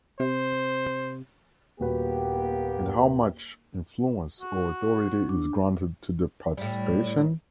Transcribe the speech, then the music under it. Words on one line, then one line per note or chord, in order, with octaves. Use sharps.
And how much influence or authority is granted to the participation?
C3 C5
D#1 A#3 B3 F#4 G4 B4
F#4
D4
A2 G3